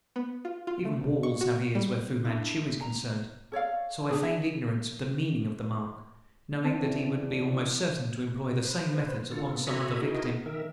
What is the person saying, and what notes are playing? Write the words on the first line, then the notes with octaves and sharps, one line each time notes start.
Even walls have ears where Fu-Manchu is concerned, so I feigned ignorance of the meaning of the mark, knowing that he would be almost certain to employ the same methods upon some other victim.
B3
F4
F4
A3
G#1
C#6
F#4
G3
D4 E4
A#5
A4 C#5 D5 F5
D4 G#4 B4
E5
E3 C4 D5 A5
B4 C5
D3 F4 A4
B3
F#4 A4 E5 G#5 A#5 B5
D#4 E4 F#4 G#4 A#4 D#5
D#3 A#4 E5